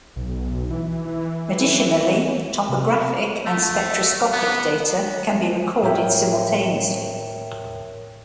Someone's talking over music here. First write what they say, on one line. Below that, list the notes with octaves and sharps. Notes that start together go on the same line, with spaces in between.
Additionally, topographic and spectroscopic data can be recorded simultaneously.
B1
E3
C3
A3
B3
A2 A#4 C#5 E5 G5